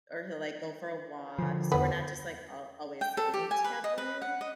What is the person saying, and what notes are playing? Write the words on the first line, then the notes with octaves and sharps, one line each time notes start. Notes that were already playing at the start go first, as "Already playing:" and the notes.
or he'll, like, go for a walk. So we're not just, like, al always sitting together,
D3 F3
E2 D3 B3
G5
A4
G4
G#5
B4
D#5
B4
F#5
D#5